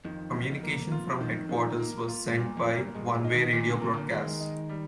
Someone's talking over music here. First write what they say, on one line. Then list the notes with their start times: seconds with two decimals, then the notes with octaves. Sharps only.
Communication from headquarters were sent by one-way radio broadcasts.
0.05 F2 D#3
0.34 D#3
0.63 A#3
0.92 F4
1.21 D#3
1.49 D#3
1.79 A#3
2.08 F4
2.30 G#2
2.37 G2 A#2
2.57 F2
2.65 A#4
2.76 G2
2.94 G2 G#3
3.14 G#2
3.25 D#4
3.34 D#3
3.53 A#2 D#3
3.66 D3
3.80 C3 A#4
3.94 D3
4.11 D#3 G#3
4.40 D#4
4.69 G3